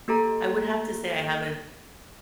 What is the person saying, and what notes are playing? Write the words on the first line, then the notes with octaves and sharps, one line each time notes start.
I would have to say I haven't
A#3 G4 A4 A#5